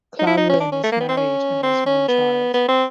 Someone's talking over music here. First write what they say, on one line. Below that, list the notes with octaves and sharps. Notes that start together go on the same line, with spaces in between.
Klaveren is married and has one child.
D#4
E4
D#4
C#4
D4
C#4
A3
A#3
B3
C4
C#4
C4
C#4
B3
B3
C4